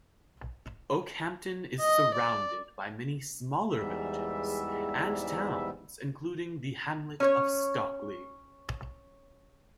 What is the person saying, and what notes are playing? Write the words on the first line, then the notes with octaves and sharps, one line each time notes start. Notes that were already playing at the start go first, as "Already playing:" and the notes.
Okehampton is surrounded by many smaller villages and towns including the hamlet of Stockley.
D#5
D5
E2 G#2 G3 E5
C#4 C#5